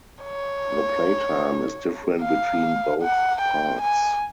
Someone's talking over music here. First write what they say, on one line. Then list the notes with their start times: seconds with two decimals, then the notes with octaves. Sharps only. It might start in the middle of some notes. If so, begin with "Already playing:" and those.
The playtime is different between both parts.
0.23 C#5
2.22 F5
3.02 F#5
3.41 G5
3.81 G#5